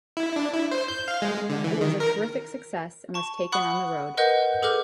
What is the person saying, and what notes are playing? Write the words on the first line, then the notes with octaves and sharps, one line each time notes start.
It was a terrific success and was taken on the road.
E4
D4
E4
C5
G6
F5
G#3
D3
E3
D#3
A#4
A5 C#6
F#5 B5 C#6 D#6 F#6
A#4 B4 D#5 F#5 F#6 G6
G#4 A4 B4 D6 F6 G6